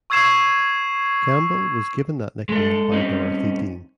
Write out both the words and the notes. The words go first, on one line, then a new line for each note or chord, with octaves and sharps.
Campbell was given that nickname by Dorothy Dean.
C#6 E6 G#6 C7 E7
G#3 A4
G3 C4 C#4 D#4